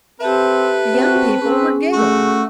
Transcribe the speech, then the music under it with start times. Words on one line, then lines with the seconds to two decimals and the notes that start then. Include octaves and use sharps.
The young people were giggling.
0.20 C4 G4 A4 B4 E5
0.94 C4 F#4
1.42 C4 C#4 G#4
1.93 A3 F#4